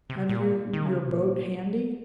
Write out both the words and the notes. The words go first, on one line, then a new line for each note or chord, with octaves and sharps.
"Have you your boat handy?"
C3
A#2
D#3
C#3
C3
A#2